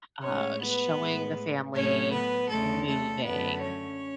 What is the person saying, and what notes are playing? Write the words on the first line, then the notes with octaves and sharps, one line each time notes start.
uh, showing the family moving,
A2 G#3 C#4 C#5
B3 B4
A2 G#3
A2 F#3 A3 C#4 C#5
B3 B4
E2 C#3 G#3 A3 A4
A3 A4
F#2 D3 A3 B3 B4
C#4 C#5